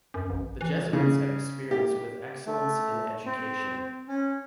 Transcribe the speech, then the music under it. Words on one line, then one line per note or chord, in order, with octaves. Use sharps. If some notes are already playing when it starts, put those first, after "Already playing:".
The Jesuits have experience with excellence in education.
F#2
A1
E3
C#3
G4
A3
C4
C#4